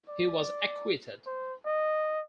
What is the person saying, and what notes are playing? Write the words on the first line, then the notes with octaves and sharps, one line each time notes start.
He was acquitted.
D5
C5
D#5